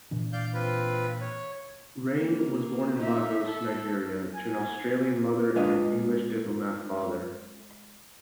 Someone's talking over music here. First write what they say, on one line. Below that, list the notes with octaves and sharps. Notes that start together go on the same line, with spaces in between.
Reyne was born in Lagos, Nigeria to an Australian mother and English diplomat father.
A#2 E3 D4
D5 F5 G6
C4 F4 B4
C#5
A#3
D#4 E5
A4
G#5
G#3 D4 F4 B4 D#5